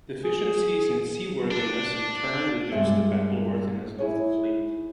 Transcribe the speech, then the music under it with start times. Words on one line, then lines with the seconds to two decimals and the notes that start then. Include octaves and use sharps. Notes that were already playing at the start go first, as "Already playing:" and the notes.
Deficiencies in seaworthiness in turn reduced the battle-worthiness of the fleet.
0.23 G#4
1.51 D4
2.72 G2 G#3 G#4 E5 G#5
3.98 E4 G#4 C#5